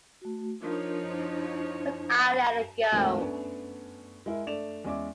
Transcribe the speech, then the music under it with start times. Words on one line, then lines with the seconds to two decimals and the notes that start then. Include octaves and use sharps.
But I let it go.
0.22 A3 F#4
0.62 F3 D4 D#4 F4 A#4 C#5
1.09 D4 E4 C5
2.92 D2 G#2 E3 A3 A#3 C4
3.18 A3 B3 C#4 D4
4.26 G#3 E4 A#4
4.47 A3 D4 D5 E7 F7
4.84 E2 G#3 C#4 D5 E5 D6